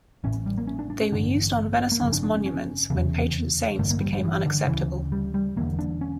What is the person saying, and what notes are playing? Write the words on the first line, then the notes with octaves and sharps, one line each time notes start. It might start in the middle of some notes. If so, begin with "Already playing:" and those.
They were used on renaissance monuments when patron saints became unacceptable.
A1 A2 C#4
G3
A#3
C#4
D4
D4
C#4
A1 G2 D3 D4
A#3
G1 F2 C#3 C#4
D4
D4
C#4
C#4
F1 E2 C#3
A1 G2 D3 A3
A#3
G3
G3
E3
D3
D2 C#3 E3
G3
G3
E1 E2 D3 A#3
D4
C#4